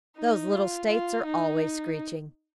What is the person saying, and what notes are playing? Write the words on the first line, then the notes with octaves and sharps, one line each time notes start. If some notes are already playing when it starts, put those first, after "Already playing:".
Those little states are always screeching.
D#4
F4
F4
D#4